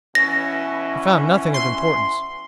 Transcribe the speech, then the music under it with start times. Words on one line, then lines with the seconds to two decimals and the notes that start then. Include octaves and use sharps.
They found nothing of importance.
0.15 B2 E3 C#4 A#6
1.54 C6